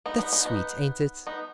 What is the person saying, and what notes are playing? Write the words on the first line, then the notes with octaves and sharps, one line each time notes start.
"That's sweet, ain't it?"
B3 D#4
B3 D#4
B3 D#4
B3 D#4
B3 D#4